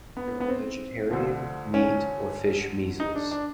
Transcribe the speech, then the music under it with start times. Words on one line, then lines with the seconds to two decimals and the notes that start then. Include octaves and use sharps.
There are vegetarian, meat or fish mezes.
0.17 B3
0.40 B3
0.48 C4
1.11 D2 D3 F3
1.74 C#4
3.00 D#4
3.15 D4
3.31 D4